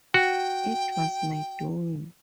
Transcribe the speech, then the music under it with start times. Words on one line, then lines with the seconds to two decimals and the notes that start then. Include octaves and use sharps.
It was my doing.
0.14 F#4 G5